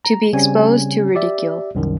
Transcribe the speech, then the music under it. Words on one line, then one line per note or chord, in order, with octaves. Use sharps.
To be exposed to ridicule.
A#5
C#3 G3 C4 C#4 G#5
G4 D5 E5
C2 F#2 D#3